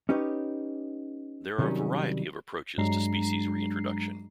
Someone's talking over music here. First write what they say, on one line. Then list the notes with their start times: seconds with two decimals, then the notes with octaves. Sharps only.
There are a variety of approaches to species reintroduction.
0.09 C#4 D#4 G4 B4 C#5
1.58 C3 D#3 F#3 G3 C#4
2.78 G2 F#3 G#3 D4 A#5 C7